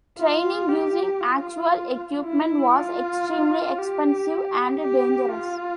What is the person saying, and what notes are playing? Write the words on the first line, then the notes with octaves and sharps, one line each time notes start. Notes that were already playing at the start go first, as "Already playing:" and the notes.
Training using actual equipment was extremely expensive and dangerous.
F4
G4
F4
E4
F4
G4
G4
F4